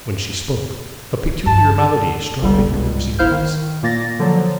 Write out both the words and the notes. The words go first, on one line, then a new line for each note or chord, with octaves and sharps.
When she spoke a peculiar melody struck the hearer's ears.
G2 A5
G1 C#2 D3 G3
C#2
G1 E4 C5 F5 F6 G6
D#3
A#2 A#3 A6 A#6
D3 F3 F#3